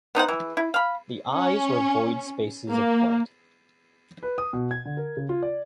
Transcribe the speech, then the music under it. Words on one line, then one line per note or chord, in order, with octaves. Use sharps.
The eyes were void spaces of white.
B3 D#4 C5 F#5
E3
E4
F5 B5
C#4
A#3
B4
D#6
B2
G#6
D3
A#4
C#3
F4
D5